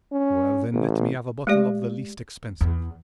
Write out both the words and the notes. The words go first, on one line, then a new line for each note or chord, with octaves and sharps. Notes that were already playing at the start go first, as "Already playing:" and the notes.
"Well, then, let me have a bottle of the least expensive."
C#4
A1
G#3 A3 G4 D5
E2